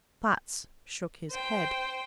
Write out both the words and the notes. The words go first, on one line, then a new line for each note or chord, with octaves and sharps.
Platts shook his head.
C5 G5